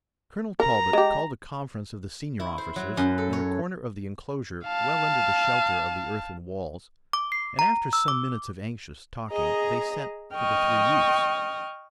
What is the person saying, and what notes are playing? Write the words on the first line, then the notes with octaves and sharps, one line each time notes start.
Colonel Talbot called a conference of the senior officers in a corner of the enclosure well under the shelter of the earthen walls, and after some minutes of anxious talking they sent for the three youths.
A#4 A#5
G#3 G4
E4
C5
F#3
F#2
A4
C#5
F5 A5
D6
C7
A#5
E6
D6
G#4 D#5 A#5
D#5 G5 C#6 D#6 F6